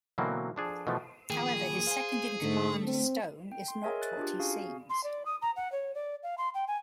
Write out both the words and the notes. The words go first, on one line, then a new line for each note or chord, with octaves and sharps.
However his second in command Stone is not what he seems.
B2 D3 E3 F#3 A#3 C4
F3 D4 G#4
B2 E3 F3 A3
D#3 F3 A#3 G#4 G5
C5 F5 G#5
G#2 D3 A3 D4 A4
C4
G5
C6
G#4 A#4 C#5 D#5 E5 G#5
F#6 A6
D4 F4 G4
C#4 F#4 G#4 F5 G#5
C6
D5
D#6
A#5
F#5
C#5
D5
F5
C6
G5
G#5